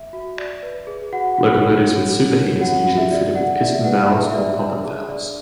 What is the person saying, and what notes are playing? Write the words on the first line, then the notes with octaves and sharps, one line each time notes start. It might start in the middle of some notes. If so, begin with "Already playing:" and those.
Locomotives with superheaters are usually fitted with piston valves or poppet valves.
Already playing: E5
F#4
D5
B4
G#4
F#4 F#5
F#4
C#5
F#4
A4
C#5
F#4 F#5
F#4
E5
D5
D5 F#5
D5 E5
B4 F#5
D4 E5
D5 E5
D4
G#4
D5